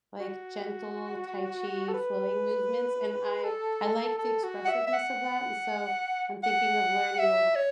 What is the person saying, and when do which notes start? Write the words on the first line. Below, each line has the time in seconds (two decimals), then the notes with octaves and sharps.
like, gentle tai chi flowing movements, and I I like the expressiveness of that, and so I'm thinking of learning a little bit.
0.19 F#4
1.88 A4
1.94 B4
3.44 A4
4.18 A4
4.43 F#4
4.65 F#5
4.68 E5
4.87 E5
4.93 F#5
6.43 F#5
7.19 E5
7.55 C#5